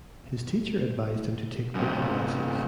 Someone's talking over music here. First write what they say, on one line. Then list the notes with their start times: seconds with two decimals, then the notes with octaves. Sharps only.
His teacher advised him to take vocal lessons.
1.75 F#2 C3